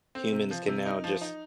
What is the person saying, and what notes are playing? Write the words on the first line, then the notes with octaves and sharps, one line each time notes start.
humans can now, just
C4
C3
F3
C3
D#4
F3
D#4